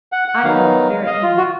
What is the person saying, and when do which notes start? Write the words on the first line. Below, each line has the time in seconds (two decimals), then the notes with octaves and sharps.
I felt very angry.
0.12 F#5
0.28 F#5
0.44 D#3 F#3 B3 D#4 F5
1.07 D#5
1.23 F4
1.38 F#4